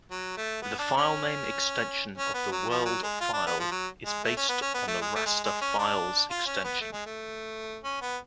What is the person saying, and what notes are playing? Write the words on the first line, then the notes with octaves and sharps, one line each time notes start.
The filename extension of the world file is based on the raster file's extension.
F#3
A3
B3
D4
C#4
C#4
B3
F#3
F3
F#3
G#3
F4
D4
B3
F3
F#3
G#3
A3
C#4
B3
C#4
B3
A3
G#3
A3
G#3
G#3
C#4
D4
F4
C#4
B3
A3
G#3
A3
C#4
B3